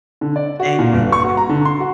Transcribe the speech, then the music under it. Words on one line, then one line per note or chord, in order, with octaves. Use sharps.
Thank you, you too.
D3
D5
F#4
A#2
G1
C#6
F#4
A#5
D3
C6
F#4